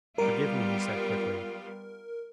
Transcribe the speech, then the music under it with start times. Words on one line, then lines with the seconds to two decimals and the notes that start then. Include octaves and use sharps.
"Forgive me," he said quickly.
0.18 G3 B3 F4 A#4